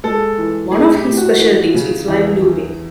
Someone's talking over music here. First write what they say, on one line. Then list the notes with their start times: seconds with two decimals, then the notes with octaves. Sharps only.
One of his specialities is live looping.
0.04 G#3 A4
0.38 E3
0.72 A2 G#4
0.95 G4
1.07 A2
1.17 F#4
1.40 E3
1.74 C#3
2.08 E2
2.42 E2